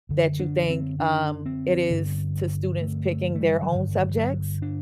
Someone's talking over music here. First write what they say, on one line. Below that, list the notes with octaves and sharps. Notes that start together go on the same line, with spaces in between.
that you think, um, it is to students picking their own subjects?
F#2 D3
D4
C4
D4
C4
G2 D3
A3
A3
A3
G3
F#3
G2 D3 D#3
D#3
F#3
D4